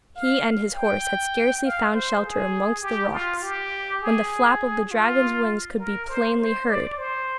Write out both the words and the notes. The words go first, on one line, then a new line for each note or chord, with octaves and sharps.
He and his horse had scarcely found shelter amongst some rocks, when the flap of the dragon's wings could be plainly heard.
F5
G5
F5
C5
G#4
G4
F4
G4
G#4
F4
A#4
C5
C5
D5
C5